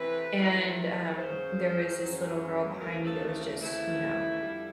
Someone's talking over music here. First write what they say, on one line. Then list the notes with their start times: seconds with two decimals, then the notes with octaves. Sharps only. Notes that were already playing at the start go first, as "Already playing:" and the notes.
and, um, there was this little girl behind me that was just, you know,
Already playing: C3 E3 A3 C4 B4
0.36 C3 E3 A3 C4
1.17 F#2 C#3 F#3 C5
1.98 F#2 C#3 F#3
2.79 D#2 C#3 E3 A3 C4 A#4
3.05 A4
3.32 A#4
3.60 D#2 C#3 E3 A3 C4 E4
4.40 F2 D3 G3